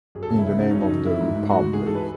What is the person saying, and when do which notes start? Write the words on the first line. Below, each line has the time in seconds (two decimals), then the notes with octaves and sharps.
In the name of the Republic.
0.15 F#2 G#4
0.23 A4
0.29 C#3 G#4
0.38 E4
0.45 C#3
0.60 C#3 D#4
0.71 C#4
0.76 F#2 D#4
0.90 F#2
1.05 E3 E4
1.21 G#2
1.35 G#2
1.50 G#2 F#4
1.65 G#2
1.73 G#4
1.80 E3
1.87 A4
1.95 B4